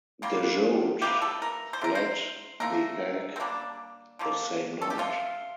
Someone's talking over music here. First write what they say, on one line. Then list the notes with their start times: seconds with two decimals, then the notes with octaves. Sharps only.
De Jode fled The Hague the same night.
0.22 D3 G3 A#3 F4
1.02 C3 E3 A#3 G4
1.22 A4
1.42 A#4
1.73 C5
1.81 D3 A3 A#4
1.95 C5
2.60 D3 F3 A3 A#4
3.36 C4
3.40 D3 G3 A#3 D4
4.19 D3 F3 A#3
4.82 A4
4.90 G4
4.98 C3 F3 A3 F4